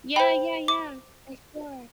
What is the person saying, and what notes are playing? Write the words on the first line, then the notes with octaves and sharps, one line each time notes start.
Yeah, yeah, yeah. For sure.
C5 G5 B5
D6